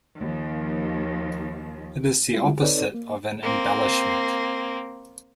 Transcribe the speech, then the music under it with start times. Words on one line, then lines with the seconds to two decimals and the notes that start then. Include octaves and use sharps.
It is the opposite of an embellishment.
0.20 D#2 F3
2.33 G3 G#3 C4 E4 F4
2.62 C4 D#4 A4 B4 C#5 D5
2.94 A#3
3.43 A#3 C4